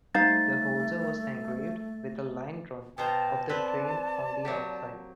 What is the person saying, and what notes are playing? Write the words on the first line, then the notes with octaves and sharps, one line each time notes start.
The holder was engraved with a line drawing of the train on the outside.
G3 A3 A#3 D#4 C5 F5 A6
B2 C5 G5 A5 A#5
C4 B4 D5
F#3 A#3 G4